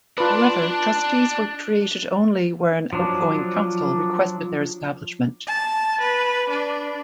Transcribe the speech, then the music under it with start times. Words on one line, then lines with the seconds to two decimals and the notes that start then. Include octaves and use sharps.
However, trustees were created only where an outgoing council requested their establishment.
0.18 D4 F4 B4 D5
2.93 F3 F#3 D4
5.46 A5
6.00 B4
6.49 D4